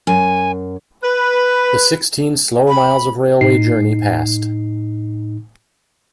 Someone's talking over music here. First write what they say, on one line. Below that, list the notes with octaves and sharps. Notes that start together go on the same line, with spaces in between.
The sixteen slow miles of railway journey passed.
F#2 G#5
B4
B5
A2 D#4 C7